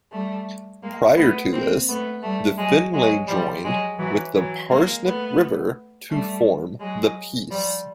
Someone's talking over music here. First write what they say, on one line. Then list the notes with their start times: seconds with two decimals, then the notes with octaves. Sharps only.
Prior to this, the Finlay joined with the Parsnip River to form the Peace.
0.12 G3 A3
0.82 G#3 A#3
1.17 A3 B3
1.53 A#3 C4
1.88 A3 B3
2.23 G3 A3
2.58 F#3 G#3
2.93 F#3 G#3
3.28 F3 G3
3.64 F#3 G#3
3.99 E3 F#3
4.34 E3 F#3
4.69 G#3 A#3
5.05 A3 B3
6.10 G3 A3
6.80 F#3 G#3
7.51 F3 G3